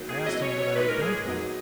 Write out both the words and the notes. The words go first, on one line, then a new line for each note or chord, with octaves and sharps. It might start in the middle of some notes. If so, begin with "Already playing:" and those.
I asked him what I had done to him.
Already playing: D#3 F#3 A#3
G#4
B2 F#3 C#4 E4 D#5
C#5
C#5
A#2 G#3 D#4 B4
A#4
G#4
F#3 B3 D#4